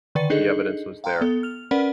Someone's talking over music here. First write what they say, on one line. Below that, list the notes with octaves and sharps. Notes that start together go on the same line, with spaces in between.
The evidence was there.
D3 D#3 B4 D5 A6 C#7
D4 D#4 G#4 A4 D#5
F5 G5 A#5 C6 F#6
B3 A4
F6 F7
C#4 A#4 B4 D5 F#5 B5